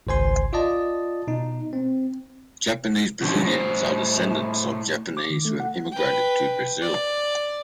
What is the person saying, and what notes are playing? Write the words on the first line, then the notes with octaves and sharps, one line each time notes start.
Japanese-Brazilians are descendants of Japanese who have immigrated to Brazil.
G#1 C#2 C5 G#5 C6
F4 D5 D#5 A5
B2 D#4
C4
B2 D3 F3 C#4
A2 C5
D6
D#3
A3
F#5
B4 G5
D5